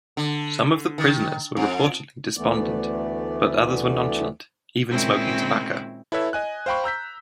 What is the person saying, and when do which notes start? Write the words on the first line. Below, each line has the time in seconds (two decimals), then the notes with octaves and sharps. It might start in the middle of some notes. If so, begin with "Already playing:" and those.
Some of the prisoners were reportedly despondent, but others were nonchalant, even smoking tobacco.
0.17 D3
0.98 D#3
1.57 F2
2.37 D2 E3 A3 B3 D5
4.91 A#2 D#3 G#3 C4 C#4 E4
6.12 E4 A4 B4 C#5 E5
6.33 D#5 G#5 F#6
6.66 C5 F5 G5 B5 C#6
6.84 A#5 E6 G6 B6